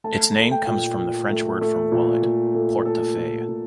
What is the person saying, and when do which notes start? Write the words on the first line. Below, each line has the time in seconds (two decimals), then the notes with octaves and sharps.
Its name comes from the French word for wallet: "portefeuille".
0.04 A3 A5
0.35 A3
0.51 G5
0.67 A#2
0.98 A#2
1.30 A3
1.61 A3
1.92 A#2
2.23 A#2
2.55 A3
2.85 A3 A4
3.17 A#2
3.49 A#2